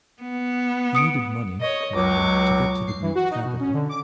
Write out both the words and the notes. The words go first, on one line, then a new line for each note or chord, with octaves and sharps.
He needed money, however, to get to the Greek capital.
B3
D#6 C#7 D7
C#5 D#5
C#2 F#3 C#6 D6
C7
E3
F#4
D#4
B2
C#4
D3
D6